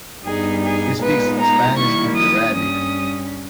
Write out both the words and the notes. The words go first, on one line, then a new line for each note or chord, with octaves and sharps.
He speaks Spanish and Arabic.
G2 G3 B3 D#4 G#4
G#4
A#2 G#3 B3 D#4 B4
A#5
D#3 G3 A#3 E4 C#6
D#6
G2 G3 C#4 D#6